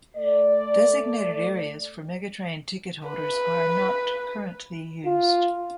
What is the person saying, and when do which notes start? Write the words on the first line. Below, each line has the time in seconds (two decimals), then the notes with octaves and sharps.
Designated areas for Megatrain ticket holders are not currently used.
0.16 A3 D5
3.08 B4
5.06 F4